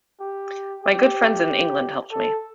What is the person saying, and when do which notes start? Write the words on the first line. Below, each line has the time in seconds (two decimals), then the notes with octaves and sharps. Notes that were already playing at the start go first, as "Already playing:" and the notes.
My good friends in England helped me.
0.20 G4
0.84 G4
2.11 A4